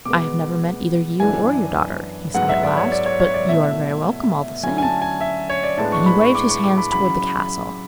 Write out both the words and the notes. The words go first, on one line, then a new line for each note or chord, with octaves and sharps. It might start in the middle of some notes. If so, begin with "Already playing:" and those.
'I have never met either you or your daughter,' he said at last; 'but you are very welcome all the same.' And he waved his hand towards the castle.
B2 G#3 B3 D6
F#2 E3 B3 D4 G#5
G#2 F#3 B3 F#5
E5
D5
C#5
D5
C#5
C#5
D5
B2 A3 E4 E5
D3 F#3 A3 C#4 E4 G#5
G#5
A5
G#5
E5
C#5
D5
A2 G#3 B3 D4 A5
C#6
B5
C#6
D6
C#6
D6
B5
C#3 F#3 C#4 E4 B5